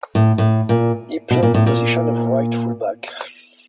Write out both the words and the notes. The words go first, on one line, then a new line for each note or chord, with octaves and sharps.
He played the position of right full back.
A2
A2
A#2
B2
A#2
A2
A#2